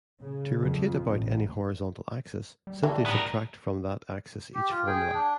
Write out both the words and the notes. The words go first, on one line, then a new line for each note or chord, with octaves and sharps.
To rotate about any horizontal axis, simply subtract from that axis each formula.
C#3
F2
A1
G3
D3 E3 G3 D4 G4
A2 B3 A#4
G4
F4
G#4 G5
D4